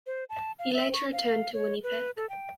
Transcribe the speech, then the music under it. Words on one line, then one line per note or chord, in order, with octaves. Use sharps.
He later returned to Winnipeg.
C5
A5
F5
E5
C#6
F5
C#5
B4
A4
G5